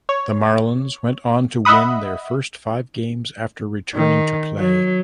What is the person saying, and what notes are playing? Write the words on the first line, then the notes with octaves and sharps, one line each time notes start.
The Marlins went on to win their first five games after returning to play.
C#5
D#5 E5 F#5 B5 D#6
D#3
F#3